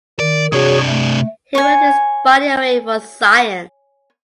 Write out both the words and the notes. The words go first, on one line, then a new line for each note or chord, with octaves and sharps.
He willed his body away for science.
D#3 D5
C3 D4 F#4 G#4 C#5
A3
C#5 G#5